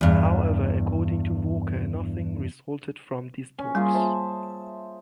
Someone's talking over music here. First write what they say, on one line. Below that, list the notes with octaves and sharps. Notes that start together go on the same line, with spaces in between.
However, according to Walker, nothing resulted from these talks.
E2 G2
C#4
G3 A#3 F4 G#4
C5 E5 A5